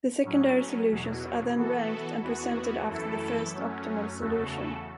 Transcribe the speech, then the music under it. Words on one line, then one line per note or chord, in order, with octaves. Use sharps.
The secondary solutions are then ranked and presented after the first optimal solution.
A2 F#3 C#4
E2 B2 F#3
E3 B3 F#4 A4
E2 E3 B3 F#4
F#2 E3 A3 E4 A4
F#2 F#3 A3 C#4
E2 C#3 A3 F#4 A4